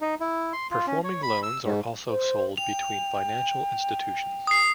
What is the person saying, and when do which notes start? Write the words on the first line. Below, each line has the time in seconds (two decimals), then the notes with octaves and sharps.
Performing loans are also sold between financial institutions.
0.01 D#4
0.20 E4
0.53 C6
0.71 F4
0.87 C#4
1.04 C#5
1.23 B5
1.43 E6
1.65 G#2
2.09 C5
2.57 G5 F7
4.47 D#6 C7